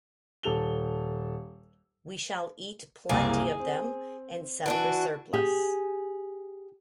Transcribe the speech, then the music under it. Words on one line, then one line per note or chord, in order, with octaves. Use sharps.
We shall eat plenty of them and sell the surplus.
D#1 A4 F7 G7
F#1 C2 A#3 G#4
C4
E3 D4 F#4
G4 G#4